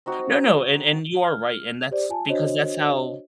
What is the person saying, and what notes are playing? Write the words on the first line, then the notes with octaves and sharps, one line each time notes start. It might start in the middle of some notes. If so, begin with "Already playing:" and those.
No, no. And and, you are right. And that's because that's how
C4 D#4 F#4
F6
G4 C5 D5
F4 G#5 A5
D4 F#4 C5 C#5 D#5